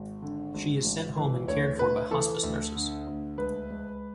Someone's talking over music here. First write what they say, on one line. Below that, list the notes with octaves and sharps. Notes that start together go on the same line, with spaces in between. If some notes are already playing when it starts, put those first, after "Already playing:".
She is sent home and cared for by hospice nurses.
Already playing: G#1
D3
G#1
G#1
E3
D2 C#5
D2 B4
E3 A4
D2
D3
D2
C#2 B4
C#2